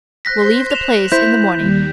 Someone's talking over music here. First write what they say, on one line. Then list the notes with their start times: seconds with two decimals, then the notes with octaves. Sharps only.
We'll leave the place in the morning.
0.25 C5 C6 F#6 G6 A#6 B6
0.71 F#6 E7 F7
1.12 E4 C5 G6 B6
1.55 D#2 G3